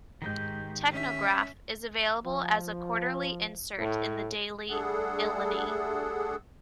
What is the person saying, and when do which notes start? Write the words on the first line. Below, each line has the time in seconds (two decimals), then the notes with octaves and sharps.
"Technograph" is available as a quarterly insert in the "Daily Illini".
0.22 G#2 D#3 G4 G6
0.90 C#4 E5
2.25 F3
3.78 A2
4.69 G3 A3 D4 G#4 A4 F#5